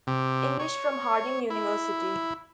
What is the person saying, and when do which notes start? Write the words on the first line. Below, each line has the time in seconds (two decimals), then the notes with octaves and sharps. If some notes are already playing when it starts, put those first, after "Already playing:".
English from Harding University.
0.07 C3
0.59 C#5
1.50 E4